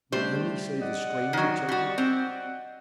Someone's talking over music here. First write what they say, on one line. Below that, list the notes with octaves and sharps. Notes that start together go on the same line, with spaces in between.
Will any save a stranger take it?
G3 A3 D4 C5
D5 D#5 F#5
D#3 F#3
G3 F#4
C4